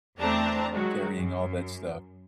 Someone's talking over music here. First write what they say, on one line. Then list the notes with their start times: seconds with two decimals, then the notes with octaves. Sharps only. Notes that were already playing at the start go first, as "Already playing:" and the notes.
carrying all that stuff
0.19 E2 A3 C4 D4 A5 A#5
0.73 D#3 F#3 G#3 F#4
1.18 F#2